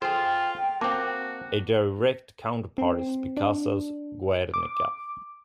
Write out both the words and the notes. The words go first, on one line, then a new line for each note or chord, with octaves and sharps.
A direct counterpart is Picasso's "Guernica".
F4 G#4 A4 C5 G5
A#3 C4 F#4 A5 D6
C4
D4
D6